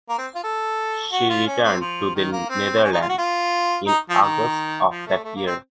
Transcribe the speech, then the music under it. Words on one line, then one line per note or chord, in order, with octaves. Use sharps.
She returned to the Netherlands in August of that year.
A#3
C4
F4
A4
F#4
F4
C#4
C4
F3
D#3
A#3
C4
C#4
D#4
F4
F#4
F4
D#4
F3
D#3
F3
A3
A3
A#3
C4